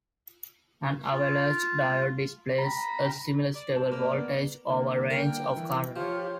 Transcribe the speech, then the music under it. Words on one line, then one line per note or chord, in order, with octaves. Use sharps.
An avalanche diode displays a similar stable voltage over a range of current.
F4
A#5 B5
D5
C5 A5
A#3 B4 D5
B3
D3 A#3
A#4 G5
E3
F3 F4 G4 C#5 C6